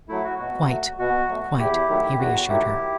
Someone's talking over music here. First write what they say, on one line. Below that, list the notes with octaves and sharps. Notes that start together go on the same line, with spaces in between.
"Quite--quite," he reassured her.
F#3 A3 E4
F#4
B2 F#4
F#3 A3
B2 F#4
F#3 A3
E2 E4 G4
D#3 F#3 A3
E2 F#4
D#3 F#3 A3 E4 G4